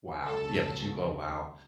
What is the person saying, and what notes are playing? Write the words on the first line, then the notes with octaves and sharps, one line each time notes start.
wow. Yeah, but you oh, wow.
C#2 C#3 F#3 A4